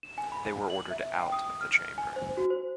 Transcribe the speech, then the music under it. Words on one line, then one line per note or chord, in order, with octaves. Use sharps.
They were ordered out of the chamber.
E7
G#5
B5
F#7
E5
G5
D#6
F6
G#5
C5
F#4
C5